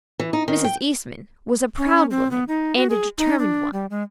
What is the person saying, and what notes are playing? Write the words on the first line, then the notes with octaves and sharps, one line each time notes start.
Mrs. Eastman was a proud woman and a determined one.
E3
D#4
D#3
G5
C#4
C4
B3
D#4
F#4
G#4
D#4
D4
G3
G#3